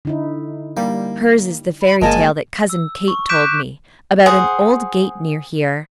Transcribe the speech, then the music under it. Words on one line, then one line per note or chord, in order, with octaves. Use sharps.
Hers is the fairy tale that Cousin Kate told me, about an old gate near here.
D3 D#4 E4
G3 A#3
B5
G1 A#2 G#3 A#3 A#4 D#5 G#5 A5
E6
C#6
D6 F#6 G6 B6 D7 E7
G#4 C5 F#5